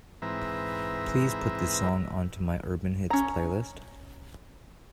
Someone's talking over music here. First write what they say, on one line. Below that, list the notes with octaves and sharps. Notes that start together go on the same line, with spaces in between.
Please put this song onto my Urban Hits playlist.
G#2 E3 C4 B4 E5 A#5
C#4 A#5